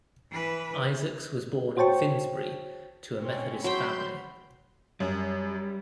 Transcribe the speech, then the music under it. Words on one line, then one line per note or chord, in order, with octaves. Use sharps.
Isaacs was born in Finsbury to a Methodist family.
E3 B4
F#4 C5 C#5 G5 A5 C#6
C4 C#4 C#5
F#3 G5 B5 C6 G6
F#2 G3